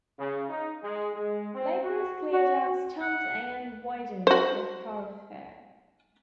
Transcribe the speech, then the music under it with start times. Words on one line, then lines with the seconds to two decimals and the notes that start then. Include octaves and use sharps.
Laborers cleared out stumps and widened the thoroughfare.
0.18 C#3
0.49 D#4
0.83 G#3
1.14 G#3
1.54 C4
1.84 F#4
2.32 F#4
3.01 F#5
4.27 F#4 C5